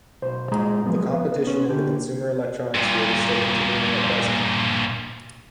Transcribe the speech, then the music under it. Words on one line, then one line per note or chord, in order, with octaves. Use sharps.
The competition in the consumer electronics field is still continuing at present.
B1 C5
A#2 G#3 G#4 A#5
F3 F#3 G#3 B3
B3
B3 C#4
D3 G4
G2 A#2